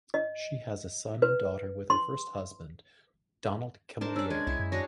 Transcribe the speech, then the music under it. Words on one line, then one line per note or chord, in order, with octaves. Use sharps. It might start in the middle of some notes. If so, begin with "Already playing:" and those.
She has a son and daughter with her first husband, Donald Camillieri.
D#5
B4
C6
D4 A#4 C5 A5
C#4 D5 E6
G#3 G#6
C2 E4
F#2
D4 F#4 G#4 C#5 A#6